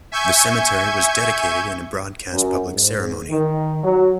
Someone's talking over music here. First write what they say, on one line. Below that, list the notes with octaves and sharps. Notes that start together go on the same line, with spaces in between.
The cemetery was dedicated in a broadcast public ceremony.
E5 G#5 C#6 G6 G#6
F#2
G#2
D#3
F#3